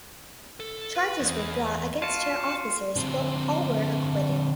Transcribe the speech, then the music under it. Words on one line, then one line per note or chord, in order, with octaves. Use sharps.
Charges were brought against her officers but all were acquitted.
A4
B4
E2
F4 F#4 A5
D3 C4